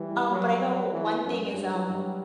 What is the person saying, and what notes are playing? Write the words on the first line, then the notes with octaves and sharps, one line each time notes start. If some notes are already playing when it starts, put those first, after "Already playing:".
um, but I know one thing is, um,
Already playing: E3 G3
G3
F#3
E3
F#2
G2 G3
F#3
G2
G3